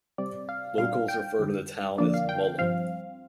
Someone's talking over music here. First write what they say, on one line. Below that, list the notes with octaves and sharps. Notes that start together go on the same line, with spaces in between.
Locals refer to the town as "Mullum".
C3 G3 C4 D5
F5
A#2 G3 D4 F5
G5
F2 D3 G3
D3 F3 A#3 D4 D5
F5
G5
G2 F3 C4 F5